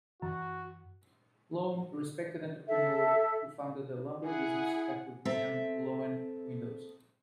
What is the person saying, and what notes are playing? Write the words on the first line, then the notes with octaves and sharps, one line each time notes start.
Loewen, a respected entrepreneur who founded a lumber business that would become Loewen Windows.
F#2 E3 F#4
A4 E5
E4 G#4 F#5
C4 A4 E5 A#5